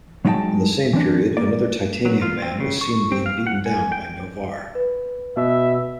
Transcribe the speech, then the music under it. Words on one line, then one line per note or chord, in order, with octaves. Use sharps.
In the same period, another Titanium Man was seen being beaten down by Noh-Varr.
F#3 G#3 D#4 D5 G5 A5
E3 C4 D4
A#3 D5
F#3
F4
C4
C#3
C#6
C4
F5
F#5
G#5
G5
B4
B2 E5